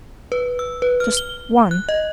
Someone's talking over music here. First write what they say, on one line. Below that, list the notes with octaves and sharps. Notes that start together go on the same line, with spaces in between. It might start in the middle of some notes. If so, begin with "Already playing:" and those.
Just one?
B4
E6
B4
F6
G7
F#6
D#5